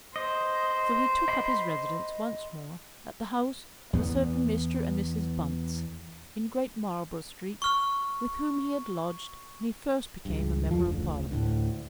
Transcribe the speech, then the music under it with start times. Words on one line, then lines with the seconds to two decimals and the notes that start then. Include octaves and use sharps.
So he took up his residence once more at the house of a certain Mr. and Mrs. Bunce, in Great Marlborough Street, with whom he had lodged when he first became a member of Parliament.
0.16 C5 D#5
1.28 D#5 B5 C6
3.93 E2 B3
7.62 C#6 F6
10.25 C#2 G2
10.71 F2 F3
10.83 F#1 D2
11.31 D2 A2